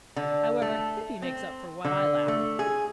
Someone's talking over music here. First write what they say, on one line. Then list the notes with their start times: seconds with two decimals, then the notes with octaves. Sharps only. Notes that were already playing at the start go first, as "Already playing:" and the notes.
However, Hippy makes up for what I lack.
0.16 D3
0.62 A3
1.22 C4
1.85 D3
2.28 A3
2.59 G#4